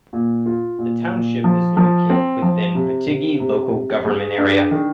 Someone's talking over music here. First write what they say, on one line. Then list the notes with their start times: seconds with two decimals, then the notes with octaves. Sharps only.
The township is located within Patigi Local Government Area.
0.13 A#2
0.46 F4
0.79 A#2
1.11 A#2
1.44 F3
1.77 F3
2.10 C4
2.42 F3
2.75 C3
3.08 C3
3.40 C3
3.73 C3
4.05 G#3
4.38 D4
4.71 D#3